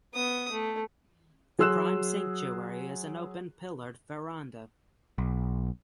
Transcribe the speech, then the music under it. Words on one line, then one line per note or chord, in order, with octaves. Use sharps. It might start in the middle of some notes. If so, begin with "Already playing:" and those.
The prime sanctuary is an open pillared veranda.
B3 D#6
A3
F#3 G#4 C6 E6 F#6 E7
B1